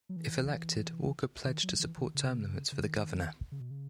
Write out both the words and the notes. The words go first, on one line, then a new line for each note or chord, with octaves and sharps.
If elected Walker pledge to support term limits for the Governor.
F#3
E3
D#3
E3
D#3
F#3
E3
D#3
C#3
C#3
D#3
C#3
B2
C#3